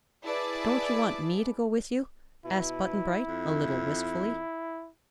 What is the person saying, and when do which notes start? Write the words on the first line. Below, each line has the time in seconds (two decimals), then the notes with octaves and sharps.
"Don't you want me to go with you?" asked Button-Bright, a little wistfully.
0.23 E4 G#4 B4 D5 A5 D6
2.45 B2 E4
3.28 F2